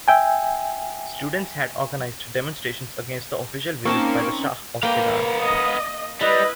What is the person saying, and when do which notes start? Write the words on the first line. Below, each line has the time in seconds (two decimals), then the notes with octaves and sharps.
Students had organized demonstrations against the official visit by the Shah of Iran.
0.08 E5 G5 G#5
3.85 A#3 C4 C#4 D#4 A#4 A5 C#6
4.83 A#3 B3 F5 G5
5.41 D#5
6.21 G3 E4 B4 D#5